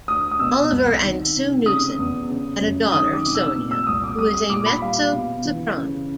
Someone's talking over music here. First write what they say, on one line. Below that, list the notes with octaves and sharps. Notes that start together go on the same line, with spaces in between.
Oliver and Sue Knussen had a daughter, Sonya, who is a mezzo-soprano.
D2 D#6
D#6
B2 E6
C2
D#3
C3
C#3 D#6
E2
C#3
F#2
D#3 D#6
D6
C3
E6
A#2
E6
C2 D#6
D6
G3 D#6
D#6
A#2 D6
B5
G3 F5
B2
E3
C#3